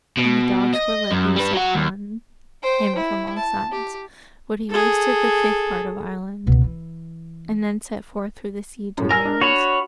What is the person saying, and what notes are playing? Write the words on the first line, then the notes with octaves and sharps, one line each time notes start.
And the dogs were let loose upon him from all sides. But he wasted the fifth part of Ireland, and then set forth through the sea to Wales.
B2
D#5
F#2
G3 B4
F#3 F#5
D#2
C5 G5
E4
A5
G4
G#4 A4
C#2 B2
E3
F#2 A2
A#4 G#5 E6 F6
D4
F#4 C#5 B5